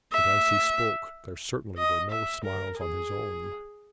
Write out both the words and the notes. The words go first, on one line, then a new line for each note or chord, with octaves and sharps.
And as he spoke there certainly were no smiles on his own.
E5
D#5
E5
A#4
G#4